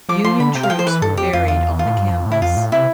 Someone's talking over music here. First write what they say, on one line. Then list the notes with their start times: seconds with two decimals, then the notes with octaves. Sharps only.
Union troops were buried on the campus.
0.09 F3 D6
0.24 F3 C6
0.40 D3 B5
0.55 C3 G5
0.63 F5
0.70 F3 G5
0.79 C5
0.87 E3 B4
1.02 G2 A4
1.17 F2 G4
1.33 F2 F4
1.48 E2 F4
1.79 F4
1.86 A2
1.98 G2
2.11 F2
2.26 A2
2.32 E4
2.42 F2 F4
2.57 A2
2.72 C3 E4